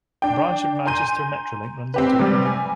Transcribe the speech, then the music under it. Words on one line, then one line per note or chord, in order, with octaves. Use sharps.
A branch of Manchester Metrolink runs into it.
D4 G5
G#5 A#5 C6 G6 D#7
C4 G4 B4
C3 G3 B3
G#5